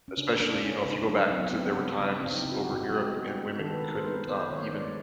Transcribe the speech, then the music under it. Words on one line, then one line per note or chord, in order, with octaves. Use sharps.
Especially, you know, if you go back to there were times over in Europe, and women couldn't, um, even
C#4
C#3 D4
A#3 D4
C#4
A#3 D4
C#3 D#4
F#3 D4
F#3 C4
B3
C4
F#3 B3
C#3
C#3
C#3 C4
D#4
C#3 E4
F#4
G4
C#3
F#4
G#3 G4
B3
G#3
D#3 A4
B4
D#3 A#4
C5
B3 B4
B3 C5
D#3 C#5
G#3 D5